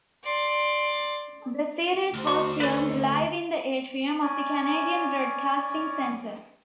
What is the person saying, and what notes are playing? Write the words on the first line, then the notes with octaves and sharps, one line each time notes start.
The series was filmed live in the atrium of the Canadian Broadcasting Centre.
D5 C6
D2 C5
D#3 F#4 C#6
A4 B4 D5
C#4 D5 G#5